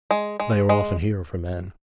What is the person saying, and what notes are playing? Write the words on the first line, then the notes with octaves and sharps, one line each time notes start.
They are often here for men.'
G#3
G#3
G#3